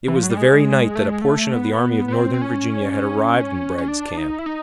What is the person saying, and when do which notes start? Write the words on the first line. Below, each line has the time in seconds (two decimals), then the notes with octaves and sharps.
It was the very night that a portion of the Army of Northern Virginia had arrived in Bragg's camp.
0.08 E3
0.16 F3
0.23 F#3
0.30 G3
0.37 G#3
0.96 A3
1.09 G#3
1.22 A3
1.54 B3
2.08 B3
2.13 C4
2.34 C4
2.42 C#4
3.78 C#4
3.88 D4
4.17 D#4
4.39 E4
4.46 D#4